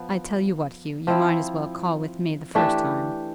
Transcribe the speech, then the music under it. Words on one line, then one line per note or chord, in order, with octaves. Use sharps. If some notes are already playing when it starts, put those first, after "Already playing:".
"I tell you what, Hugh, you might as well call with me the first time."
Already playing: F3 B3
F3 C4 E4
E3 A3 D4 G4